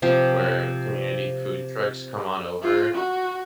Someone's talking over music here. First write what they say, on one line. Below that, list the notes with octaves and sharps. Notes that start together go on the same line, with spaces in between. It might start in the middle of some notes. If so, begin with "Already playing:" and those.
where community food trucks come on over,
C3 F3 G4
F4
F#4